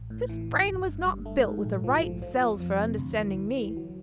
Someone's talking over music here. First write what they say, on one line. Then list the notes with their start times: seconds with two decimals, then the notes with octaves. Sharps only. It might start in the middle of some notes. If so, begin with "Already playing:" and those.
His brain was not built with the right cells for understanding me.
Already playing: A1
0.10 A2
0.29 E3
0.49 A1
0.68 G1
0.87 G2
1.06 G2
1.26 A3
1.45 G#2
1.64 A#1
1.84 F3
2.03 F3
2.22 F3
2.41 F2
2.60 F3
2.79 C3
2.99 D2
3.19 E3
3.37 D2
3.57 E3
3.77 F#3